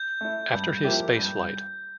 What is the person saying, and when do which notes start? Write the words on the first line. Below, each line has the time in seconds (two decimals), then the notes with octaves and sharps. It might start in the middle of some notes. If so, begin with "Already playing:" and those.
After his spaceflight.
Already playing: G6
0.21 A3 E4
0.52 G2 G6
0.84 F3 A#3 E4 G4
1.16 G2